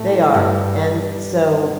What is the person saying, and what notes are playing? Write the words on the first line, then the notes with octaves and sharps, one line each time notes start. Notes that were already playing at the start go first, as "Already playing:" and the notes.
They are, and so,
Already playing: A2 A3
G2 G3